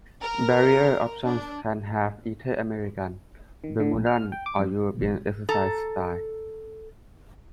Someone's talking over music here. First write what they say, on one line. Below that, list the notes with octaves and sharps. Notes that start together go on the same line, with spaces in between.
Barrier options can have either American, Bermudan or European exercise style.
A#4
D4
D#3
D3
A#1
F6
G5
D6
F#2
A4 A#5